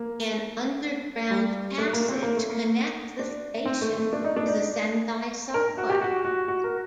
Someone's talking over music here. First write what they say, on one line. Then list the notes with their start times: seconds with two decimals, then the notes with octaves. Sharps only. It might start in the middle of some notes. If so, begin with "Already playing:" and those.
An underground passage connects the station to the Sendai Subway.
Already playing: A#3
1.31 G3
1.78 A3
1.93 A#3
2.09 C4
2.22 A#3
2.36 A3
2.49 A#3
3.19 D4
3.66 C4
3.82 A3
3.97 A3
4.13 D4
4.24 D#4
4.36 D4
4.48 D#4
4.60 D5
5.54 A#4
5.78 F#4
5.90 G4
6.01 F#4
6.25 F#4
6.48 F#4
6.64 A#4